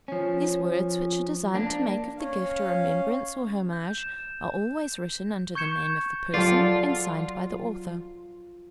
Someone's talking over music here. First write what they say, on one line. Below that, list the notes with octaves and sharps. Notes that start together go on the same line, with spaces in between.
These words, which are designed to make of the gift a remembrance or homage, are always written under the name of the person, and signed by the author.
F3 C#4
A#3 D4
C#4 F5
G6
E7
C#6 G6 G#6 C#7 E7
F3 F#3 F4 G#4 A4 D5 G5